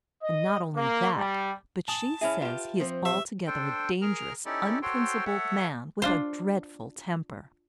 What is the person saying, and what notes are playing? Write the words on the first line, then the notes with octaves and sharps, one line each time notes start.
And not only that, but she says he is altogether a dangerous, unprincipled man with a dreadful temper.
D#5
A#3
G3
G#5 A5 D#6
C#4 E4 G#4 E5 B5
F4 G4 B4
F3 C4
G4 E5
D4 A4 C5 G5
G#4 A#4 A#5 F6
C#4 D#4 E4 G4 A4 D5
F#4 A4 C5 C#5 G5 C6
A4 C#5 E5 F#5
D4 F4 C5